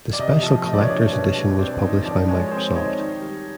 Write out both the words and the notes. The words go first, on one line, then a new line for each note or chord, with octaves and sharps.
The special collectors' edition was published by Microsoft.
D5
C3 D#5
F3
A3 D#5
D5
C#5
D4 D5
B2 C#5
G3
C4 D5
D#4
F3 D5
G#3 C#5
C#5
C4 C5
D#4 C#5
D#3
G3